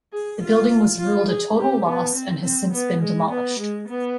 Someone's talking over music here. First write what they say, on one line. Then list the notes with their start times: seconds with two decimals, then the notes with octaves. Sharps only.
The building was ruled a total loss and has since been demolished.
0.13 G#4
0.41 F4
0.98 F4
1.27 G#4
1.57 G4
1.86 B3
2.15 C4
2.43 C4
2.73 B3
3.02 G#3
3.30 B3
3.59 G#3
3.88 B3